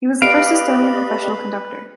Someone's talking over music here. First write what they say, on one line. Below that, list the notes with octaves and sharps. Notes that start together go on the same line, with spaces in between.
He was the first Estonian professional conductor.
G4 B4 D5 D#5 F5 D7